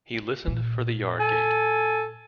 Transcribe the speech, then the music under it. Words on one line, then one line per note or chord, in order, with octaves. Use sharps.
He listened for the yard-gate.
A#2
A4 G#5